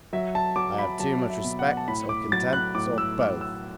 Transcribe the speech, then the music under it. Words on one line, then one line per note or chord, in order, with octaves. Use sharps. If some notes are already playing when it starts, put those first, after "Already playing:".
I have too much respect or contempt, or both ...
F#3 E5
A5
F#3 D6
B5
F#3 A5
E5
B2
F#5
A5
A2 B5
D6
F#3 A6
F#6
A2 D6
E6
F#3 D6
E6